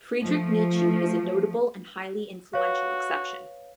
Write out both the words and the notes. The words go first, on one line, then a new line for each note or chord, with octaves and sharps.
Friedrich Nietzsche is a notable and highly influential exception.
F3 A3
F#4 B4 C#5 F5